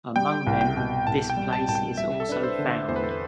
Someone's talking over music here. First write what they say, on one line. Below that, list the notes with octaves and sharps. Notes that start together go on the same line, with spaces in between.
Among them this place is also found.
G3 G5
C2
G5
B2
C2 A5
G5
G3
A5
C2 A5
G5
G3 E5
A4
D4 B4
C5
D3
E2 C5
B4
A4
B4